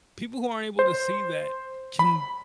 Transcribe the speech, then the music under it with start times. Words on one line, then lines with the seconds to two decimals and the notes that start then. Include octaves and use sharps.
people who aren't able to see that can
0.79 C5
1.99 B5